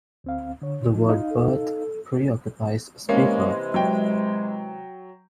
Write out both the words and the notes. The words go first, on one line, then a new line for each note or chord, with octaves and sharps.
The word 'birth' preoccupies Speaker.
D2 C4 F5
D3 C#5
F3 D#4 F4
D#4 F5
A4
C3 E3 G#3 A#3 C#4
F#3 G5